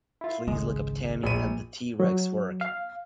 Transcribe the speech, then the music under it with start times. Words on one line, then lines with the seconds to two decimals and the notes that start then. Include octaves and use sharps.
Please look up Tammy and the T-Rex work.
0.21 E4 F4
0.48 G#1 C#2 G#3
1.23 A#1 D#7
2.00 F#3
2.61 F5